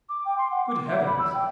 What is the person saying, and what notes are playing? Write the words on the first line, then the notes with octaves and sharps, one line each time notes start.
Good heavens!
D6
G5
C6
F#5
D6
E5
B5
E6
G5